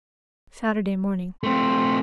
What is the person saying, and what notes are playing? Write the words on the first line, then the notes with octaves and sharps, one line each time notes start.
Saturday morning.
A3 C4 C6